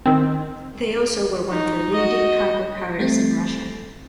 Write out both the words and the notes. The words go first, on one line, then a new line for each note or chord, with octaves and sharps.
They also were one of the leading cargo carriers in Russia.
D#3 C4
D#4
F#4 D#5
G3 A3 C4